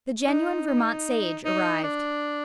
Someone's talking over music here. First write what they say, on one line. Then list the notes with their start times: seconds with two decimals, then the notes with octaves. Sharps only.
The genuine Vermont Sage arrived.
0.28 D#4
0.67 D#4
1.45 D#4
1.84 D4